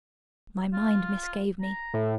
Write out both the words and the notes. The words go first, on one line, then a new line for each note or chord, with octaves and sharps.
'My mind misgave me.
F4
A#5
A2